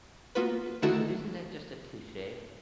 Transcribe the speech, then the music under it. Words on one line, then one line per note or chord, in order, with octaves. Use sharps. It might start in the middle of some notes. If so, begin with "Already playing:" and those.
Eh so, isn't that just a cliche?
A#3 B3 F4 F#4 B4
D3 D#3 A3 E4 F#4 A4